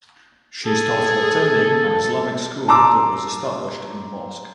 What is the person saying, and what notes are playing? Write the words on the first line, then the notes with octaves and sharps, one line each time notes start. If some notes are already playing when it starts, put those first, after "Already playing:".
She started attending an Islamic school that was established in the mosque.
G#4 A4
A5 A#5 C6 D6 E6